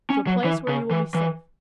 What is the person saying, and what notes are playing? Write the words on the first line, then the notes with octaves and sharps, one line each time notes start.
"To a place where you will be safe."
C#4
F#3
E3
C#3
E3
E3